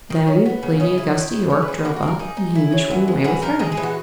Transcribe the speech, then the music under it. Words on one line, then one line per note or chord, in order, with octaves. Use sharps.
Then Lady Augusta Yorke drove up, and Hamish went away with her.
D#3
C#4
B3
C#3
C#4 D#5
E4
D#3
G#3
E3 C#5
B4
E3 G#4
A#3 F#4
F#4
A#3
A#4
D#4 G#4
D#4
E4
F#3
E3 F#4
G#3
E3 F#4
D#4 A#4
G#3 G#4
G#4
E3
F#4